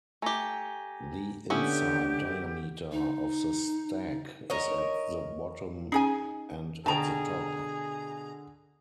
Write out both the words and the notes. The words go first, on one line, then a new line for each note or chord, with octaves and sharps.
The inside diameter of the stack is at the bottom and at the top.
A3 G4 G#5 A#5 A#6
D3 B3 C#4 E4 G4 A4
D#4
A#4 C#5 D#5
C#4 D#4 G#4 G#5
B2 D3 G#4 G5 A5 A#5